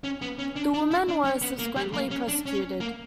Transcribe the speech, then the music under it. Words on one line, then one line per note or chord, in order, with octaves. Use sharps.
The woman was subsequently prosecuted.
C#4
B3
C#4
D4
D4
E4
D4
C#4
B3
A#3
G3
A#3
C#4
D4
C#4
A#3